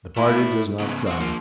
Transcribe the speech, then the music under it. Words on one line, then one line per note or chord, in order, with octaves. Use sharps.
The party does not come.
A3 E4
C#3 B3
C4 F#4
F3 A#3